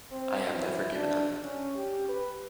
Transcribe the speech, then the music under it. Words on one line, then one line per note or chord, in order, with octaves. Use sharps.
I have never given up.
C4
E3
D4
C#4
G4
B4